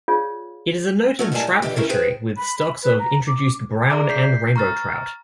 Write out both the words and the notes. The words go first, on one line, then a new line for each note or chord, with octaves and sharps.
It is a noted trout fishery with stocks of introduced brown and rainbow trout.
F4 G#4 C#5 D5 F5
F#3 A3 C#4
A2 G3 G#3 A#3 G#5 A5
A2
D3 E3 G3 D#4 G4
C#3 C#4 E4 G4 A#4
G#4 B4 C5 G5
B5
B5
B4
A#5
D6
G#4 D5 E5 A#5 D6
G6 B6 C7
A#5 C#6 F6 A6